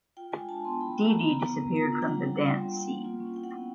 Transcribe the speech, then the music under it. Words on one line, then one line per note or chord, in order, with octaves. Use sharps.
Dee Dee disappeared from the dance scene.
F4 G5
G#3 G#5
D4 A5
B3 C6
E4 B5
B3
A#5
B3
A#5
E4
B3 A#5
B3
F4 A#5
D4
G5
G3 F#5
G3
F4
C4
A#3
A#3
F4
C#4
E4 G5
F#5
B3 G5